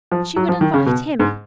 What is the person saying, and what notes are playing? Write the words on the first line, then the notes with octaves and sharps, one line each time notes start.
She would invite him.
F3
F#3
F3
D#3
C#3
B2
G#2